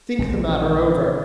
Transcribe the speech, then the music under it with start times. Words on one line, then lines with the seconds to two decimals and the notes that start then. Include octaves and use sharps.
Think the matter over!
0.19 A#1 G#3 C4